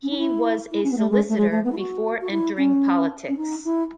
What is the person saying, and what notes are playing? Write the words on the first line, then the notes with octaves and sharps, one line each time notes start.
He was a solicitor before entering politics.
C#4
D#4
E4
E4
C#4
B3
A3
G#3
A3
G#3
A3
B3
E4
F#4
F#4
E4
C#4
C#4
D#4
E4